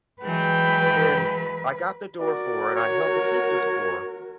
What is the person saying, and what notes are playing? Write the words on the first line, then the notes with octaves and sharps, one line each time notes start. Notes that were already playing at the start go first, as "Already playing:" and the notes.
and I got the door for her and I held the pizzas for her
E3 F#3 G#3 B4 G5
F#4 A#4 D5
C#5